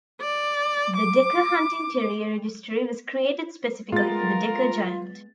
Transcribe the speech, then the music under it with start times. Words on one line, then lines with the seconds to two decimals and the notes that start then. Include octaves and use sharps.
The Decker Hunting Terrier Registry was created specifically for the Decker Giant.
0.21 D5
0.97 D6
3.92 G#3 B3 F4 A#4 A6